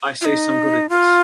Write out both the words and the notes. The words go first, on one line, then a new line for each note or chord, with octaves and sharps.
I see some good in this.
F4
D#4
F4